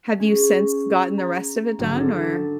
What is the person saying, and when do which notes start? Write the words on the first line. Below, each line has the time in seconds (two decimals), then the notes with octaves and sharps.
Have you since gotten the rest of it done, or
0.20 C#4 G#4
1.18 A#5 G#6
1.79 G#1 D3 F#3
1.96 D4 A4 A#6